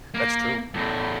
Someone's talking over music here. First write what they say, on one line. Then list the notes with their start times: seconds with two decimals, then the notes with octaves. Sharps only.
That's true.
0.14 A#3
0.74 E2 A2